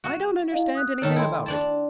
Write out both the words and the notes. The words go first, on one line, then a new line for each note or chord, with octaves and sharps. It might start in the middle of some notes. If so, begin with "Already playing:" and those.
I don't understand anything about it.
F#4
E4 D#5 F5
D#6 F#6
D#3 D#4 A4 C#5 F6 E7
E4 G5 C6
D4 D5 A5